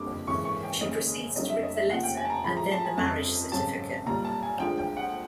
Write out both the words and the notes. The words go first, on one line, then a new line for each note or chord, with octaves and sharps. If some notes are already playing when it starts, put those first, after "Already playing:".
She proceeds to rip the letter and then the marriage certificate.
Already playing: F#1 F2 D3 G3 D6
G#1 F#2 C#3 E3 G#3 C#6
C#6
G5
F#1 F#2 D#3 G#3 D#5
F1 F2 D3 F#3 D#5
E5
D#5
E5
F1 D#2 C#3 F3 F#5
G5
G#5
A5
A#5
A1 A2 F3 G#3 B5
A#5
A5
G#5
G1 F2 C#3 A5
G#1 F#2 C#3 F#3 A5
B1 A#2 G3 A#5
A5
G#5
D2 D3 F3 G#3 G5
G5
F#5